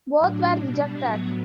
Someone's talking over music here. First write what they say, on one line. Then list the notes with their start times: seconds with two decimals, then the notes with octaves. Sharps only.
Both were rejected.
0.19 A2 F#3 D4
0.57 B2 G3
0.96 A2 F#3 B3